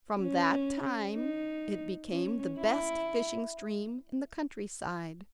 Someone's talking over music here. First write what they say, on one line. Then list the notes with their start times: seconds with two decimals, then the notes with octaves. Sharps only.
From that time it became the best fishing stream in the country-side.
0.21 C#4
1.15 D#4
2.10 C#4
2.58 E4